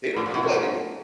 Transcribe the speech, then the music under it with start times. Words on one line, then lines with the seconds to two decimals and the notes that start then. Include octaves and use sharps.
They don't do that anymore.
0.16 A2
0.26 A#2
0.34 B2
0.43 C3
0.52 B2